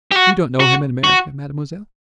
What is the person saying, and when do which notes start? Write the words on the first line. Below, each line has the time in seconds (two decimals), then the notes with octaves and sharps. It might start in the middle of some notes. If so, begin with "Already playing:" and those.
"You don't know him in America, mademoiselle?"
0.12 G4
0.16 F#4
0.60 F#4
1.04 F#4